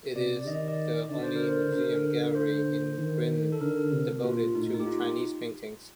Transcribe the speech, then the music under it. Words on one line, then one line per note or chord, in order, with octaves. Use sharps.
It is the only museum gallery in Britain devoted to Chinese paintings.
C3 D5
D5
D#3 D#5
D5
D3 D5
C5
A#4
C5
D3 A#4
C5
D#3
A4
D3 A#4
C3
A#2 F4
A2 D#4
D#4
G4
F4